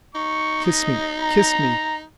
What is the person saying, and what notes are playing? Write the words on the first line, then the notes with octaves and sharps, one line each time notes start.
Kiss me, kiss me!
D#4 C#6
D#5
A#5